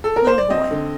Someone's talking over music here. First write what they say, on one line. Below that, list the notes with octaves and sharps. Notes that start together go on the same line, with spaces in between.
Little boy.
A4
A#4
C5
D5
C4 D#5
D3